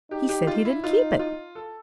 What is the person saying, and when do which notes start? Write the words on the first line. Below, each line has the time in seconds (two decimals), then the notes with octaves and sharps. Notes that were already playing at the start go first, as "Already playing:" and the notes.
He said he didn't keep it.
0.10 D#4 G4
0.29 G4
0.47 F4
0.65 E4
0.83 D#4 F4
1.19 F4
1.55 A4